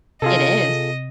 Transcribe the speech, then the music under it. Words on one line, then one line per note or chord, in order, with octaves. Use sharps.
It is.
C3 F4 G#4 A4 D#5